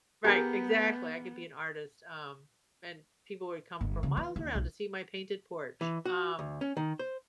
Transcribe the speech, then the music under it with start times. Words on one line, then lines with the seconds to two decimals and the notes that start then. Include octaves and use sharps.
Right, exactly, I could be an artist, um, and people would come from miles around to see my painted porch, um,
0.24 B3 G4 G#4 A#4
3.81 G1
4.03 C#3
4.17 E3
4.36 D#2
4.55 B1
5.81 E3
6.05 F#4
6.39 D2
6.61 C#4
6.77 D#3
6.99 C5